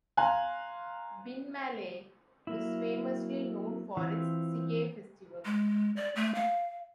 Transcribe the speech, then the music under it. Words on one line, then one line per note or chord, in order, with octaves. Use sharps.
Binmaley, is famously known for its "Sigay Festival".
F5 G#5 A#5 C6 F#6
F#3 A#3 E4
E3 C4 F4
G#3
D5
A3
F5